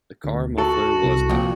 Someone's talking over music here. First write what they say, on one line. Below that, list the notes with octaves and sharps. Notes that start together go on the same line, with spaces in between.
The car muffler was loud.
D2
F#4 A4
C2
F2 A#2